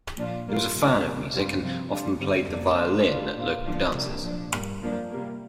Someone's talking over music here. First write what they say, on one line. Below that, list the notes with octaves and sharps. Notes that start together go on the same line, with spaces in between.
He was a fan of music, and often played the violin at local dances.
A#2 F3 D4 F4
G2 G3 A#3 F4
C3 F3 C4
C3 G3 A#3
G2 G3 C4 F4
C3 F3 C4 F4
D3 G3 D4 F4
G2 D3 G3 C4
F2 C3 A#3 D4
D3 A#3 F4
D3 G3 D4 F4
A#2 A#3 F4
D3 F3 D4 F4
C3 G3 A#3 D4
A#2 F3 D4
G2 G3 A#3
F2 F3 A#3 D4
C3 G3 A#3